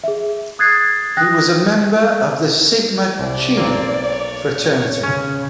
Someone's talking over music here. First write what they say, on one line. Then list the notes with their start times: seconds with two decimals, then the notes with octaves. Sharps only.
He was a member of the Sigma Chi fraternity.
0.04 G#4 E5
0.59 D#6 F#6 G#6 A6 C7
1.17 G5 D#6 F#6 A#6
3.19 C2 D5
3.57 B1 A#3 C4
4.10 C#5
5.03 C#3 C#4